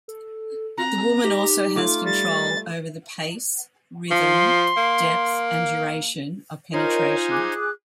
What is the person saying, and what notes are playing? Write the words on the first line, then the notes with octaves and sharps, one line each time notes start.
The woman also has control over the pace, rhythm, depth and duration of penetration.
A4
C4 F#5 A#5
D#4 G4
A3 F4 D6
G3 A6
F3 C6
A#3
D#4 F4 A#4 C5 C#5 D#5 G#5
G#4 D6 F#6